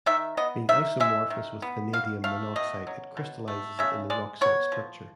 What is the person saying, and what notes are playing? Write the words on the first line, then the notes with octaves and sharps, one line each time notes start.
Being isomorphous with vanadium monoxide, it crystallizes in the rock salt structure.
D#3 E5
B3 D#5
D#3 E5
G#3 E5
D#3
B3
B2 F5
A3 F5
B2 D#5
F#3
B2
A3
C#3 E5
G#3 D5
B3 C#5
F3